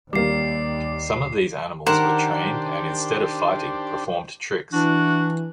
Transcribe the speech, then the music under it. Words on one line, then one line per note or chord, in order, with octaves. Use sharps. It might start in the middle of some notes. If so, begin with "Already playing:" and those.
Some of these animals were trained, and instead of fighting, performed tricks.
D#2 G3 A#3 D5 D6 C7
D#3 D4 G4 A#4 C5 F#5 C6 E7
E3 D4 F#4